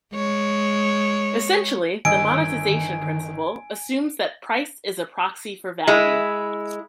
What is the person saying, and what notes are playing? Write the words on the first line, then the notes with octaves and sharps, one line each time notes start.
Essentially, the monestisation principle assumes that price is a proxy for value.
G#3 C#5
G1 D#3 D#5 G#5 E6 D7
G#3 E4